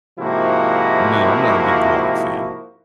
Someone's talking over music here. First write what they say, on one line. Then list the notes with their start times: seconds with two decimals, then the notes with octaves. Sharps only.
No, I'm not a big guac fan.
0.19 G#2 C3 F3 A#3 E4 F#4